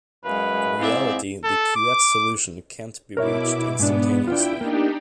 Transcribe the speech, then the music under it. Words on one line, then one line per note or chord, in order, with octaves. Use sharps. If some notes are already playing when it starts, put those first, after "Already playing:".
In reality, the Couette solution can't be reached instantaneously.
F#2 G#3 B4 F5
G#2 C4 E4 D5 E5 F5
A4
D6
B2 E4 A#4 C#5 E5 D6
G#2 B3 D4
D4 E4 F4 G5
A#3 D4 D#4 G4